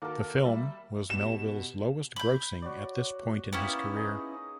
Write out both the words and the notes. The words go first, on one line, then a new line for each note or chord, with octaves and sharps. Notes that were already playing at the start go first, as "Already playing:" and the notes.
The film was Melville's lowest grossing at this point in his career.
D#3 A#3 F#4 A4 A#4
G3 E5 B5
B2 G4 E7
B5 G6
F#4 C#5 D5
A#3 B3 C#4 E4 G4 A#4
D#4 G#4 D#5